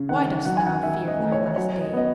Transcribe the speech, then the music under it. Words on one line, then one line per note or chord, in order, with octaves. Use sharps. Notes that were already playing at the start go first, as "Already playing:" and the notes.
Why dost thou fear thy last day?
Already playing: C#3
D#3 F#5
F#3 F#5
G#5
F#5
D#3 E5
D#5
A3
C#5
F#3 C#5
D#5
B3 D#5